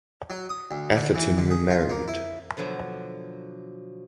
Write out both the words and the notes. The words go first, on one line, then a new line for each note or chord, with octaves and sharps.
Atherton remarried.
F#3
D#6
D2
D3
E3
D3
G#4
F4
A#3
E4
B2 D3 F3 F#3